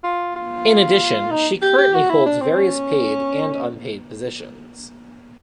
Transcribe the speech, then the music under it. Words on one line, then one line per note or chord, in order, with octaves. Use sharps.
In addition, she currently holds various paid and unpaid positions.
F4
F4
D#4
G4
G4
F#4
E4
D4
C4
C#4